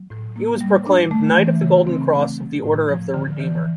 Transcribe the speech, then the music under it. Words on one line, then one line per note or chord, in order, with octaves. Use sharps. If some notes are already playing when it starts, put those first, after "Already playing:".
He was proclaimed "Knight of the Golden Cross of the Order of the Redeemer".
Already playing: F#3
A2
A#3
G3
D4
A3
E3
C#3
C4
A3
F#3
A2
F3
D3
E3